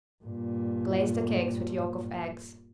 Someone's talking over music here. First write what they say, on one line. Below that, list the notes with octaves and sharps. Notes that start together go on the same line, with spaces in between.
Glaze the cakes with yolk of eggs.
G2 A#2